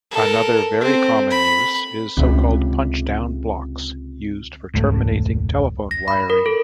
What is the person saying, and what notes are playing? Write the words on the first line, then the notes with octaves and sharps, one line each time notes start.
Another very common use is so-called punch-down blocks used for terminating telephone wiring.
A4 A#4
C4
B5
C#2 C3
E1 C#2 G#2 A3
A#6
B5
A#4
A4